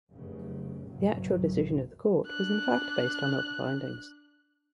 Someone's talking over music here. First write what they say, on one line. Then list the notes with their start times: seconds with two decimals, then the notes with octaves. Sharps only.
The actual decision of the court was in fact based on other findings.
0.12 F1 F#2 C#3
0.84 F#1 B1 G2 A#2 F#3
2.27 D4 F#6